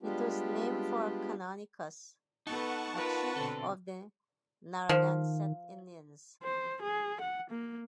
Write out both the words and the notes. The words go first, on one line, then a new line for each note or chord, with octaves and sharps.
It was named for Canonicus, a chief of the Narragansett Indians.
G3 G#3 B3 D4 F4 G4
B3 D#4 A4 B4 F#5 A5 C#6
F4 A#4 B4
B2 D3 C4 A4
D#3 F3
C5
G#4
F#5
A#3